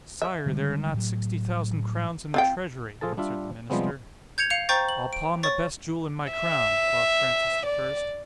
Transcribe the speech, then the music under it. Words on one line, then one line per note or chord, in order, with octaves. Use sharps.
Sire, there are not sixty thousand crowns in the treasury, answered the minister.--I'll pawn the best jewel in my crown, quoth Francis the First.
E5
D3 G3 G#3
A2 F#3
C4 F4 G5
F3 F4 G#4 A4 A5
G3 D4 F4 E5
C3 F3 G3 G#3 B3 C4
G6 G#6 C#7 F7
F5 C#7 F7
C5 G5 A#5 C#6 G6 A6
F#7
D7
C#5 C#6 A6
E5
D5